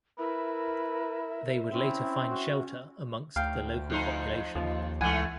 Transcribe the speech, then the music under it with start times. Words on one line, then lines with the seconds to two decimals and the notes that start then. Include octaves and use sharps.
They would later find shelter amongst the local population.
0.19 E4 A#4 B4 E5
1.73 C4 C#4 E4
2.29 F#4
3.36 D2 F5 G5
3.90 F2 D#4 C5
4.55 D#2 F3
5.01 C#2 E3 A3 F#5 G#5